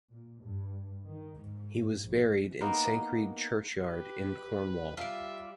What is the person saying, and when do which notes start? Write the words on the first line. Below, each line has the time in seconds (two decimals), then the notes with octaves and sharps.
He was buried in Sancreed churchyard in Cornwall.
0.10 A#2
0.44 G2
1.03 D#3
1.42 G#2
2.03 A#1
2.61 A#3 B3 D#4 A#4
3.81 G4 B4
4.97 G3 F4 D5 E5